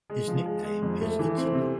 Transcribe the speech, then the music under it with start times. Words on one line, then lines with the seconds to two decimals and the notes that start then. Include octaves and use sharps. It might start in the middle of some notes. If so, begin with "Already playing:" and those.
His nickname is "Attila".
0.10 G#3
0.27 F3
0.46 G#3
0.64 G#3
0.82 F2
1.01 A3
1.19 E3
1.37 C4
1.55 C3